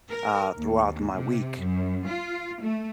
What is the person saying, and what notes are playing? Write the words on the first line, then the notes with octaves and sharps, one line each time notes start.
uh, throughout my week.
A#4
D#2
C3
F#2
F4
A3